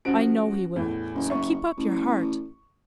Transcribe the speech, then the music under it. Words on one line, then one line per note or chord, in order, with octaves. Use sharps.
I know he will; so keep up your heart.
F3 C#4 F#4 D7
E2 A2
F#1
E5 C#6
A1